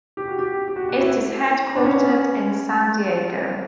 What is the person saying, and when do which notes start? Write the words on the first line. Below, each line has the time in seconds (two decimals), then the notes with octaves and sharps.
It is headquartered in San Diego.
0.17 G4
0.28 F#4
0.39 G4
0.68 G4
0.76 F#4
0.89 F#4
1.01 E4
1.76 D4
1.84 C#4